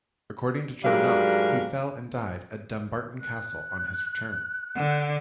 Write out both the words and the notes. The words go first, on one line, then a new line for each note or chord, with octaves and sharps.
According to John Knox he fell and died at Dumbarton Castle on his return.
G#2 F#3 G3 D4 A#4 F5
F#6
D3 F#5